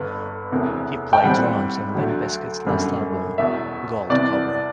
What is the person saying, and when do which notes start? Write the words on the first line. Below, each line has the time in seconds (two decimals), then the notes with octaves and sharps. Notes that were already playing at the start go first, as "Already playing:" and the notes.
He played drums in Limp Bizkit's last album, "Gold Cobra".
Already playing: G1 G2 D3 B4
0.51 E1 D2 C3 E3
1.13 G5
1.23 B1 A2 G3 C4 F#5
1.94 D2 D3 F#3
2.66 G1 F#2 D3 G3
3.38 E1 E2 B2 E5
4.10 C2 C3 E3 D5